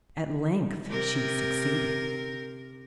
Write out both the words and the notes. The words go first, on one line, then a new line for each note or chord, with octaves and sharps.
At length she succeeded.
C3 A#4